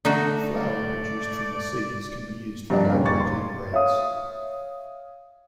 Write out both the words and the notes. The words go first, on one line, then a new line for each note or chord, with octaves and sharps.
Flour produced from the seeds can be used for high-protein breads.
D3 A3 D#4 F#4
D5
G2 C3 F3 A#3 D4
D#1 D#2 C#3 B4 F5
F#1 C#6 D6 A6
C6
C#5 E5 F5 D#6